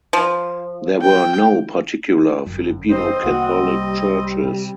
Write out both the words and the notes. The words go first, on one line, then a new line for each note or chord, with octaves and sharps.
There were no particular Filipino Catholic churches.
F3
G5
G1 F#2
C4 C5 D#5
C2 A#3 F#4
G3
C3